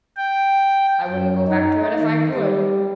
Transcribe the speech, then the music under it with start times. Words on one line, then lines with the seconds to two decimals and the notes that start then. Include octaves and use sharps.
I wouldn't go back to it if I could.
0.17 G5
1.07 F#2
1.48 D#4
2.00 D#3
2.35 G3